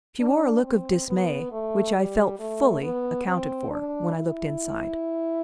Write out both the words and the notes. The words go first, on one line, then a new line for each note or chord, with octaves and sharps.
She wore a look of dismay which I felt fully accounted for when I looked inside.
D4
C4
B3
A3
G3
A3
B3
C4
D4
E4